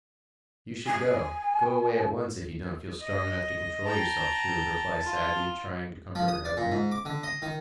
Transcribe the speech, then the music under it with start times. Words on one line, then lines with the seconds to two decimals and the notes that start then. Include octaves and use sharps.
"You should go, go away at once, if you don't feel strong enough to control yourself," she would reply sadly, trying to comfort her husband.
0.86 G#5
3.00 D#5
3.85 G5 A5 A#5
5.04 F4
6.15 F3
6.28 D#6
6.45 D5
6.57 A#2
6.72 G#2
6.92 D6
7.05 D3
7.23 D#5
7.42 D#3